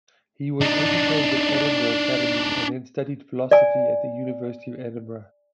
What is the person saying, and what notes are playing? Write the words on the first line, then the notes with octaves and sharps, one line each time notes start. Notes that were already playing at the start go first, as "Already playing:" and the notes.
He was educated at Edinburgh Academy then studied philosophy at the University of Edinburgh.
D4 D#4
D5 G#5